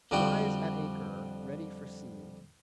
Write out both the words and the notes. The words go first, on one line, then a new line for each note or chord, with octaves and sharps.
She lies at anchor, ready for sea.
F2 D3 F3 G3 F#4 G5